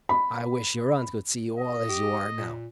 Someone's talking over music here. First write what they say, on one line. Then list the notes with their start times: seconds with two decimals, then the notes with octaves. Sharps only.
I wish your aunt could see you all as you are now.
0.09 B5
1.59 D#5
1.89 G4
2.37 A#2